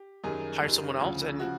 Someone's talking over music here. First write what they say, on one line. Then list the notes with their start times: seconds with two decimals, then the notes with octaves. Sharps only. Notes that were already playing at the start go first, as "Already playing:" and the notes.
hire someone else, and
Already playing: G4
0.23 F#2 D#3 G3 G#4
0.62 F#2 D#3 G3
1.00 D2 C#3 F3
1.40 C#3 F3 F#4